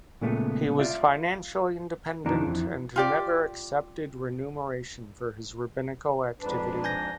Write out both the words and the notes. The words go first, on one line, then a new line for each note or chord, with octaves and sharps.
He was financially independent, and never accepted remuneration for his rabbinical activity.
A#2 C#3 G#3 A3 B3
F4 D5 E5
F2 D#3 E3 D4 A#5
F2 E3
F4 G4 D5
F2 G#2 D4 B4
G#5 G6 A#6